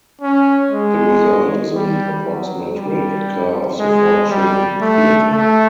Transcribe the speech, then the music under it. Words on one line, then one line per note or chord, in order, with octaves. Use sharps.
The result is an approximate replica of the Fortune Theatre.
C#4
G#3
G3
F#3
G3
G#3
G3
A3
A3